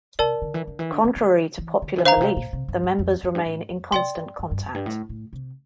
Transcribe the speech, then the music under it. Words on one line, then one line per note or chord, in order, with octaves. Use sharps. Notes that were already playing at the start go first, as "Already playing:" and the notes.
Contrary to popular belief, the members remain in constant contact.
C3 A#4 D5 A5
D3
E3
D3
E3
D3
E3
D3
E3
D3
E3
D3 C5 F5 A#5
A#2
C3
A#2
C3
G2
G2
F2
F2
G2
A2
F2
C3 D5 G5 C6
G2
G2
G2
F2
G2
A2
A2
C3